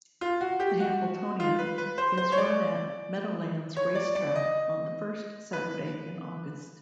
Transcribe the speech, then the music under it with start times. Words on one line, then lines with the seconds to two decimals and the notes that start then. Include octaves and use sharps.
The Hambletonian is run at Meadowlands Racetrack on the first Saturday in August.
0.21 F4
0.41 F#4
0.60 G4
0.80 F#4
1.40 F4
1.59 B4
1.78 B4
1.98 C5
2.17 C5
2.32 C#5
2.38 D5
3.76 C#5
3.95 D5
4.15 D5
4.35 D#5
5.53 B4